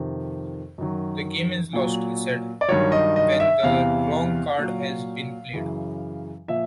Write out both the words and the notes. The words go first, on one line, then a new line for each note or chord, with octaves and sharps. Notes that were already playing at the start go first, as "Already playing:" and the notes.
The game is lost, he said, when the wrong card has been played.
Already playing: F2 C3 D#3
F#2 D#3 F#3
A#2 F#3
D5
G2 D#3 F#3 C#5
D#5
D#5
E5
E2 C3 E3 F5
A#2 F#3
F#2 C#3 E3
A#2 F3 E5